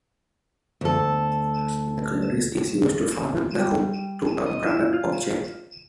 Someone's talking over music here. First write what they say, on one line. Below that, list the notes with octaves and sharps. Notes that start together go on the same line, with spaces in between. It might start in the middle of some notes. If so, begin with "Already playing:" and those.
The clevis is used to fasten the hook to a bracket or chain.
D2 A4
G3
D#5
E4
F4